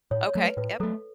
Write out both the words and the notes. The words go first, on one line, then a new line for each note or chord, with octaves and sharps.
Okay, yup.
A2 C#5
C#5
F#3 A3
B4
A2 B4
F#3 A3 A4